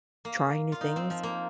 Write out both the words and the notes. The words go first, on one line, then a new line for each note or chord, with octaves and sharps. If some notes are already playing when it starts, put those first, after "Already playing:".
trying new things
A#3
F4
D#4
C4
F3
A#3